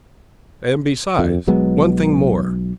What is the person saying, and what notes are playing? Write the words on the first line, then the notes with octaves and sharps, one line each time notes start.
And besides--one thing more!
F2
B1 F#3 G#3 B3